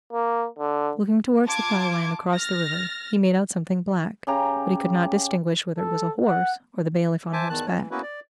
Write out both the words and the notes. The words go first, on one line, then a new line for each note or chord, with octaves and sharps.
Looking towards the plough land across the river, he made out something black, but he could not distinguish whether it was a horse or the bailiff on horseback.
A#3
D3
F4 A5 D6 G#6
F6 A6 A#6
C#3 G4 A#5
A4
F#5
C5 E5 G#5 A5 D6
E2 D#3 A5 F#6
C#4 C#5
E3
A#3 B3 C#4 E4 F#4 B4
D5